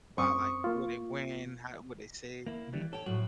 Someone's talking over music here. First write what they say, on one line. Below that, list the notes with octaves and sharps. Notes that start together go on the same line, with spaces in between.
by, like, what they wearing, how what they say mhm.
F#2 C4 C#6 D#6
A#3 F4
A#3 E4
E3 G3
A4 C#5 G5
F2 A2 F#3 F#4